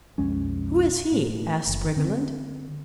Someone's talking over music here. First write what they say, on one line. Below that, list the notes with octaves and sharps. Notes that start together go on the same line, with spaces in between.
"Who is he?" asked Briggerland.
B1 F2 G#3 C#4
A2
F#1
D3 C4